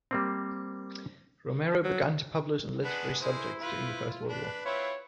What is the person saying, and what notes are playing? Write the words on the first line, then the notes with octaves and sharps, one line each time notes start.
Romero began to publish on literary subjects during the First World War.
G3 A#3 C4
F#3
G#3 B3 D4 B4
G#3 E4 C5
F4 B4 C5
D4 B4
C4 E4 F4 C#5